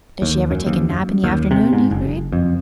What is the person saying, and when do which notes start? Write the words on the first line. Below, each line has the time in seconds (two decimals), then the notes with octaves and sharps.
"Does she ever take a nap in the afternoon?" he queried.
0.22 D#2
0.51 F#2
0.66 D#2
0.90 F#2
1.24 D#2
1.51 C3
1.73 G#2
1.91 F#1
2.32 F2